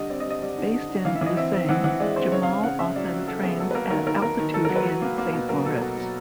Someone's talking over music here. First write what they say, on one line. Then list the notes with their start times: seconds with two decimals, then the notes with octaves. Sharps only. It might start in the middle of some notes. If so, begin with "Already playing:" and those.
Based in Lausanne, Jamal often trains at altitude in Saint Moritz.
Already playing: D3 G3 D#5
0.10 C4 D5
0.20 D#5
0.25 G3
0.30 D#5
0.41 G3 D5
0.58 D3
0.74 D3
0.89 D3
1.05 E3 F5
1.16 E5
1.21 E3 D#5
1.37 C4 E5
1.53 C4
1.69 E3 F#5
1.84 E3 F#5
2.00 G#3 D5
2.16 C4 C5
2.32 C#3 C#5
2.43 F5
2.47 C#3
2.53 F5
2.63 C#3 F#5
2.79 C#3 E5
2.95 F#3 D5
3.12 F#3
3.27 F#3 A4
3.43 B3 G#4
3.59 F#3 A4
3.71 B4
3.74 A#3 A#4
3.90 D#3 A#4
4.07 D#3 A#4
4.22 D#3 A#4
4.39 D#3
4.54 D#3 A4
4.65 A#4
4.69 F#3
4.76 B4
4.85 F#3
5.02 A#3
5.18 A#3
5.33 B2
5.49 F#3 A#4
5.66 B2 A4
5.81 B2
5.97 F#3